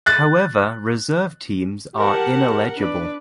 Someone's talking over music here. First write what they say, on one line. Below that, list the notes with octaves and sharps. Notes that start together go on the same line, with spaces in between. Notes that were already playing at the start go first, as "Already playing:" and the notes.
However reserve teams are ineligible.
F#6 A6
G4 A#4 F#5 A5
D4 B4 D5